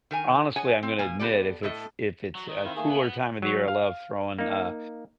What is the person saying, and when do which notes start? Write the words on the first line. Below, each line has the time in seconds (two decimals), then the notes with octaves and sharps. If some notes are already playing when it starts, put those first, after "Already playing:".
honestly, I'm gonna admit, if it's if it's a cooler time of the year, I love throwing uh,
0.11 D#3 A#4 G#5
0.56 G#4 C#5 D#5 F#5 G#5
0.83 C4
0.99 B2 A#3 G#5
1.19 B3 G4 A4 D5
1.63 A2 A3 A4 D#5
2.35 F#3 F#5 C#6
2.49 D#3 D#5
2.65 C4 E4 F5
2.76 A3 A#3 G#4
2.89 B3
3.42 F#3 C#5
3.68 F5
4.39 A#3 D#4